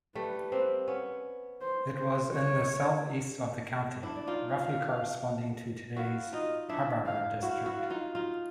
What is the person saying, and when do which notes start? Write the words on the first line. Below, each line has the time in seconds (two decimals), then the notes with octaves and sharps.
It was in the south-east of the county, roughly corresponding to today's Harborough district.
0.15 G3 A3 B4
0.52 A#3 C4
0.88 B3 C#4
1.61 C5
1.97 C5
2.33 C#5
4.03 D4 E4
4.15 D5
4.27 D#4 F4
4.52 F5
5.96 E4 F#4 F5
6.33 D#4 F4 D#5
6.69 D4 E4 E5
7.06 F5
7.42 E4 F#4 F5
7.66 E4 F#4
7.90 D#4 F4
8.15 D#4 F4